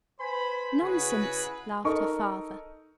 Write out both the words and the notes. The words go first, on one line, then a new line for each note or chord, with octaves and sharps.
"Nonsense," laughed her father.
B4 C5 G#5 B5
C#3 E4 F#4 G#4 B4
D#4 A4 A#4 D#5 C#6